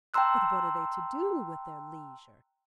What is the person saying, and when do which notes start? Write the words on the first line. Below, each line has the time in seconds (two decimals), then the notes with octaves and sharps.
But what are they to do with their leisure?
0.14 G5 A5 A#5 C6 E6 F#6